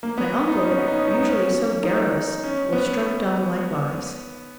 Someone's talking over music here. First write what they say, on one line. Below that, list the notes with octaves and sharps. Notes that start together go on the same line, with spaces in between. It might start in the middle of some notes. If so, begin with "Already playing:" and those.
My uncle, usually so garrulous, was struck dumb likewise.
A#3
B3
D#4
C#4
B3
D#4
C#4
D#4
B3
C#4
D#4
C#4
B3